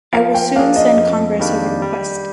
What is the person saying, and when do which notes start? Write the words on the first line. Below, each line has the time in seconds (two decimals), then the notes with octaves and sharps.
I will soon send Congress a request.
0.13 F3 F5
0.34 G5
0.56 A#3 D4 G#4 F5
0.76 D#5
0.97 F2
1.39 D#3 G3 A#3 D4
1.82 G3